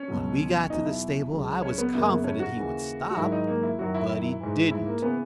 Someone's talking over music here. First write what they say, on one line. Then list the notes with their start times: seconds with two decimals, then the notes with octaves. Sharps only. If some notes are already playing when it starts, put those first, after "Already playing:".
When we got to the stable I was confident he would stop, but he didn't.
Already playing: C#4
0.08 C#2 B2 F#3
0.70 E2 B2 F#3 D#4
0.85 E4
1.32 C#2 C#3 F#3
1.62 C#4
1.78 B3
1.94 F#2 C#3 F#3 A#3
2.09 B3
2.24 C#4
2.40 F#4
2.55 D#2 C#3 E3
3.11 F#4
3.16 G#2 D#3 F#3 E4
3.32 D#4
3.47 A#3
3.63 E4
3.79 F#2 D#3 F#3 F#4
3.94 E4
4.09 E4
4.41 G#2 E3
4.71 E4
4.86 A#3
5.02 C#3 E3 B3